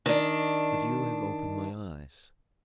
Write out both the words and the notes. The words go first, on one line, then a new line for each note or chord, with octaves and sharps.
But you have opened my eyes.
D#3 D4